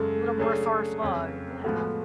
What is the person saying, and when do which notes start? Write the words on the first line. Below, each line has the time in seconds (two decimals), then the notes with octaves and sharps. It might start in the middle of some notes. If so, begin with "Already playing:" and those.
A little more far-flung, yeah.
Already playing: F#2 C#3 G#3 A4
0.38 C#3 F#3 A3 D4 G#4
1.02 F2 C#3 F#3
1.64 A2 F3 G#3 B3 F#4 A4